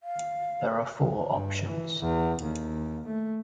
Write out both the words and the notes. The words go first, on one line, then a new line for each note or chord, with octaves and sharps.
There are four options.
F5
G2
E3
E2
D#2
A3